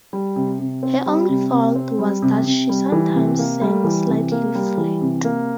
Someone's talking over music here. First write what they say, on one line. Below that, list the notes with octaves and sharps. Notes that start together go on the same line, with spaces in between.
Her only fault was that she sometimes sang slightly flat.
G3
C3
C3
C4
G3
C3
C3
C4
G3
C3
C3
G3
E3
C3
A#3
G3
E3
C3
A#3
G3
E3
C3
A#3